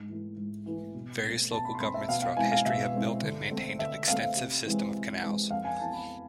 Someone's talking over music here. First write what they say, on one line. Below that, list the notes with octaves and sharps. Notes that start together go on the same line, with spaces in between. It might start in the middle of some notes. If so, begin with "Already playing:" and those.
Various local governments throughout history have built and maintained an extensive system of canals.
Already playing: G#2
E3 A3 E4
G#2
E3 A3 E4
B2
C4
A3
B2 A5
B5
C6
A3 C4 B5
E5
B2 F5
F5
G#3 C4 E4 G#5
F5
B2 E5
G#3 C4 E4
D3
A3 C4
D3 E5
A3 C4 F5
C3
E3 G#3 C4
C3
E3 G#3 C4
F2 F5
G#5
E3 B3 A5
B5